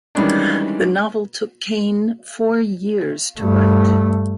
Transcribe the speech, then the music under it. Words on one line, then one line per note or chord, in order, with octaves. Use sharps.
The novel took Cain four years to write.
D#3 E3 G3 G#3 C#4 D4
G2 A3